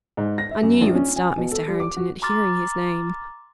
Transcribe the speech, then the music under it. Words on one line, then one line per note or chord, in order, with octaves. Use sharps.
I knew you would start, Mr. Harrington, at hearing his name.
G#2
A#6
E5
F#2
A#1
C#4
G#5
B2
A4
G3
D6
F#4
A#5 C6 D6 F6 A6